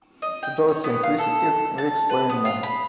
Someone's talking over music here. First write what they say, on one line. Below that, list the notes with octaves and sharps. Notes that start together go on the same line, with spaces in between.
To those inquisitive, we explain more.
D#5
G5
C#5
B3
F5
A4
A5
B4
B3
F4
B5